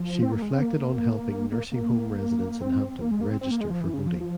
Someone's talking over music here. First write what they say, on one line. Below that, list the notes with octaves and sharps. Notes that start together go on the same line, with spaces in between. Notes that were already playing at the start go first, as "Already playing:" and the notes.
She reflected on helping nursing home residents in Hampton register for voting.
Already playing: F3
C4
A#3
G#3
C4
A#3
A#3
A#3
C4
A#3
G#3
A#3
C4
C4
A#3
G#3
F3
E3
C#3
F3
F3